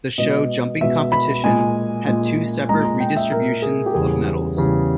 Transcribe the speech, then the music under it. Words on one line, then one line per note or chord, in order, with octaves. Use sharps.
The show jumping competition had two separate redistributions of medals.
B2 G#3 D#5
B2 G#3 E5
B5
A#2 G#3 G#5
A#2 G#3
A#2 G#3 A#5
A#5
G5
E5
A#2 G#3 A#4
G#4
G4
E2 C#3 G3 G#4
E2 C#3 G3